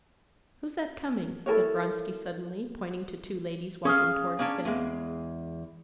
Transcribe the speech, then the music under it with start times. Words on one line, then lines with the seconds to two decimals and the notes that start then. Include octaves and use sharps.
"Who's that coming?" said Vronsky suddenly, pointing to two ladies walking towards them.
1.46 E4 A4 A#4 C#5
3.85 C#4 G#4 F5
4.39 A#3 C#4 D4
4.65 E2 G#3